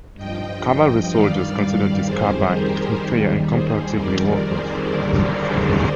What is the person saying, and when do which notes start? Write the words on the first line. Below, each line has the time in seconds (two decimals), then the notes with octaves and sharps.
Cavalry soldiers considered this carbine inferior and "comparatively worthless".
0.16 G2 F3 D#5 G5
0.63 D#5 G5
1.11 G2 D#3 G3 D5 F5
2.06 F2 D#3 G3 G#4 C5
2.54 G4 A#4
3.00 D#2 D#3 G3
3.48 G#4 C5
3.95 F2 D#3 G3 A#4 D5
4.43 G#4 C5
4.90 D#2 D3 G3 A#4 D5
5.38 G#4 C5